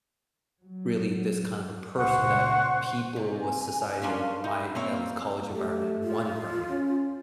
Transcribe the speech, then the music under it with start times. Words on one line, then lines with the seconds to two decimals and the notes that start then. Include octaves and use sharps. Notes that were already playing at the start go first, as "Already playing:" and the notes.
really this kind of a person that people of society in my at least college environment wanted from me.
0.63 F#3
1.97 C#2 A#2 C5 F#5 C#6
3.16 C3 G#5
4.02 C#4 D4 G#4 A#4 F5 C6
4.44 D#4 E5 B5
4.75 A#3 C4 C#5
5.53 A3 G4
6.03 F4
6.69 C#4